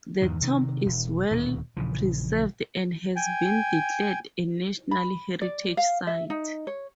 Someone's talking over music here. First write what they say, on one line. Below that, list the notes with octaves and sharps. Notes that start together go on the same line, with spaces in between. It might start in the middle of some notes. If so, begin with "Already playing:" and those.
The tomb is well preserved and has been declared a national heritage site.
E2 G#2 D#3
C3 D#3
E1
D#1 D2 B2
A#1 C#3 E3 F3
G5 G#5
B5
D5
F5
E5
D#4
C#5